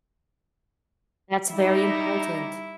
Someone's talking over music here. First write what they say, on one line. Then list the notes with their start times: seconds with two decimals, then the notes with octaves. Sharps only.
That's very important.
1.54 G3 D#4 E4